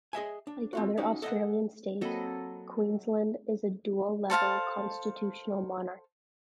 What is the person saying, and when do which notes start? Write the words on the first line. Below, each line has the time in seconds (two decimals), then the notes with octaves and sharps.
Like the other Australian states, Queensland is a dual-level constitutional monarchy.
0.13 G#4 D#5 E5 G#5
0.47 D4
0.73 C4 F4 F#4
0.97 C#4 D#4 F#4 G4
1.22 A4 D#5 E5 F#5
2.01 F#3 A#3 C4 A4 D#5 B5
4.30 A4 C5 F5 A5